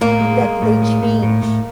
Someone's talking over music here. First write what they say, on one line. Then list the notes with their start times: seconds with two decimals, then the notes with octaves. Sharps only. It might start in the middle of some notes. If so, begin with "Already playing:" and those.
that they change
0.01 A2 A#3
0.21 G#3
0.42 G#3
0.62 A2
0.82 G#3
1.03 A2
1.23 A2
1.42 A2